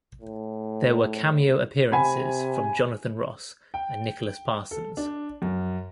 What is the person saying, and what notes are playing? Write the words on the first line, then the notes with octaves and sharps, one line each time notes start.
There were cameo appearances from Jonathan Ross and Nicholas Parsons.
A2
C3 G#5 B5
G5
A4
D4
F#2